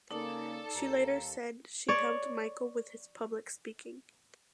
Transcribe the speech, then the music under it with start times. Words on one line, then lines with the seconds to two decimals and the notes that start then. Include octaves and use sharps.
She later said she helped Michael with his public speaking.
0.11 C#3 A#3 D#4 A4 D5
0.74 D#2 A#5
1.88 C#5 D5